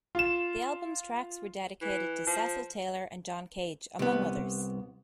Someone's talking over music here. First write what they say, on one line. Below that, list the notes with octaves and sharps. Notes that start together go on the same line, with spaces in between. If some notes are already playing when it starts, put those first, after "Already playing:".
The album's tracks were dedicated to Cecil Taylor and John Cage, among others.
F4 E7
E3
F3
C2 B3